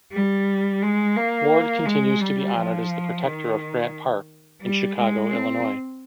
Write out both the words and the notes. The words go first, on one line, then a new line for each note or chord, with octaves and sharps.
Ward continues to be honored as the protector of Grant Park in Chicago, Illinois.
G3
G#3
A#3
G#3
G3
F3
D#3
G3
G#3
C4